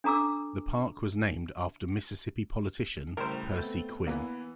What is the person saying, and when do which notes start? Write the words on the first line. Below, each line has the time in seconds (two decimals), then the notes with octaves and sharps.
The park was named after Mississippi politician Percy Quin.
0.04 D4 A4 A#5 D6 E6
3.17 A2 C#3 G3 A#4 C5
3.51 A3 B3 C4
4.06 E2 E3 A#3 B3